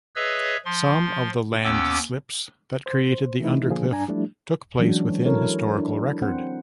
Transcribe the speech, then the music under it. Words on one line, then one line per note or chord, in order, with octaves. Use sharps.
Some of the landslips that created the Undercliff took place within historical record.
G#4 B4 C#5 D#5 E5 E6
F3 C6
D#2 B3 C#4 G5 D6 E6
C5
E3 A3 C4 D#4 E4
B2 D3 F3 A#3 D4 G#4
G2 D4 G#5 A#5
F3 G3 A3 D4 E4
E3 F#3 G#3 C#4 D4 F#4
E4 A4 A#4 C#5
D4 E4
C4 C5 F#5